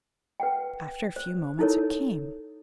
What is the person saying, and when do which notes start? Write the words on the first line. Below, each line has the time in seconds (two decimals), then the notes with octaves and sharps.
After a few moments it came.
0.40 B4 F#5 G5
1.16 C5
1.59 D#4 E4 A4 A#4 C#5